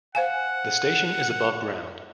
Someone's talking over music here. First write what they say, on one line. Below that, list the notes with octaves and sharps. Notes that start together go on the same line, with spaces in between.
The station is above ground.
C5 F5 F#5 G#5